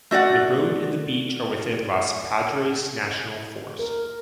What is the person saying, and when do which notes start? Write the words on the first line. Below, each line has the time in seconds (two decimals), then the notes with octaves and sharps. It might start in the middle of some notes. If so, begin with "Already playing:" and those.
The road and the beach are within the Los Padres National Forest.
0.11 A3 F#4 D5 F#5
3.79 A#4